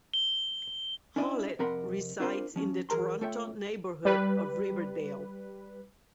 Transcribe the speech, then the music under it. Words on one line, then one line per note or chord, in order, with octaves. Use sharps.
Hollett resides in the Toronto neighbourhood of Riverdale.
G7
C#4 D4 E4 D5 D#5
F2 C3 A#4 F#5 B5 C6
C4 D4 F4 A#4 C5 B5
F3 C#4
E3 G#4 A#4 A#5 C6
A3 F4 A4 C#5 E5 G5
G3 B4